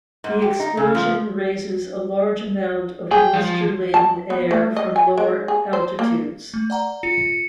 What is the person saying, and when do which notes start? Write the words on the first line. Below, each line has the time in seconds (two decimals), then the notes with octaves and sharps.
The explosion raises a large amount of moisture-laden air from lower altitudes.
0.24 G#2
0.42 G4
0.60 D#4
0.77 C#3
0.95 F3
3.11 G#4 G5
3.33 F3
3.94 A5
4.30 B3
4.51 A3
4.76 D#5
4.96 G#5
5.18 G#3
5.48 G#4
5.73 C5
5.99 A#3
6.54 A3
6.70 D5 F#5 A#5
7.03 F4 C#7